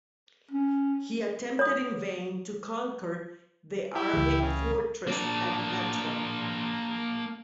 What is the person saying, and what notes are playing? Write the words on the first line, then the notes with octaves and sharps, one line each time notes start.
He attempted in vain to conquer the Arabic fortress at Hatra.
C#4
C#5 D#6
E4 G4
C#2 E3
C#3
A#3 D4